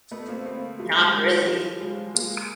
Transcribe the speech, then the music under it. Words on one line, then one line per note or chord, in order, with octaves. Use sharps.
Not really.
A3 B3
A#3 C4
A#3 C4
G3 A3
F#3 G#3
F#3 G#3
F3 G3
F#3 G#3
G#3 A#3